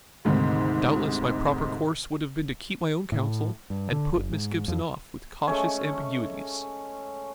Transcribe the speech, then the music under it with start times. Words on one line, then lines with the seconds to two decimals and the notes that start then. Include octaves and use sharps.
Doubtless my proper course would have been to keep my own counsel and put Miss Gibson off with cautious ambiguities.
0.25 D2 G#2 C3 D#3
3.12 A2
3.70 G2
3.92 D3
4.16 F#1
4.32 G#2
4.68 F2
5.48 G#3 A3 C#4